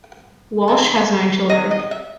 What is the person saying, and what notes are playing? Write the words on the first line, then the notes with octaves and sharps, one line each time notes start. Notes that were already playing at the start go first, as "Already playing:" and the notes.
Walsch has nine children.
D#3 F#3 C4 A4
C5
D#3 F#3 C4 D#5
D#5
E5